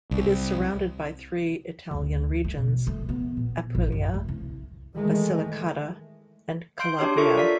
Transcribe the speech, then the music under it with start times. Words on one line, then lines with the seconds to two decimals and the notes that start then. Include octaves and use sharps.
It is surrounded by three Italian regions, Apulia, Basilicata, and Calabria.
0.11 C2
1.91 D2
2.44 A3
2.57 B2
2.87 A3
3.09 B3
3.37 A#2
3.75 A1
3.92 F#2
4.14 A3
4.29 C2
4.95 D#3 E3 G#3 A3
6.79 F5 C6 G6 D7
6.99 D4 G4 C#5 F5
7.17 F4 A4 A#4 E5 C#6
7.37 D5 B6